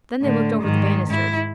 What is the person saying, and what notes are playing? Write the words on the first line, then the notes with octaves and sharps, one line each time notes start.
Then they looked over the banisters.
A2 D3
G#2 D#3
G#2 E4